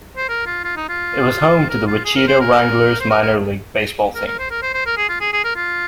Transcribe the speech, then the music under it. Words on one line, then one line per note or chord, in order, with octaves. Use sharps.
It was home to the Wichita Wranglers minor league baseball team.
C5
A#4
F4
F4
D#4
F4
A#4
F4
G#4
A#4
C5
A#4
C5
A#4
A#4
A#4
A#4
C5
A#4
C5
C5
A#4
G#4
F4
G#4
G#4
A#4
F4